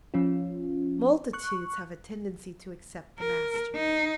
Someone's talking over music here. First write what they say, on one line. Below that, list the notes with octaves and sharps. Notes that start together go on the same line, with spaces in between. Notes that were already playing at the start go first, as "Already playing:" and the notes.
Multitudes have a tendency to accept the master.
F3 C#4 F4
C#6 F#6
A#4
D#4